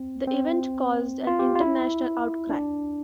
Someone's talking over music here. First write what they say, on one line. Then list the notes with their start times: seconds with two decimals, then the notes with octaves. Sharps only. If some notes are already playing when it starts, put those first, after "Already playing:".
The event caused an international outcry.
Already playing: C4
0.27 C4
1.27 F4
1.39 G4
1.55 F4
1.61 E4
2.50 D4